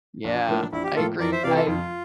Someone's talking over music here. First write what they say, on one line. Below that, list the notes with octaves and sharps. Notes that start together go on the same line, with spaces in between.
Yeah, I agree. I
A#1 D4
A2 F3 A#3
A#1 E4
G4
A2 F3 A#3 F4 A4
F2 A#4 D5
C5 E5
C3 E3 D5 F5
F4 A4
F2 F4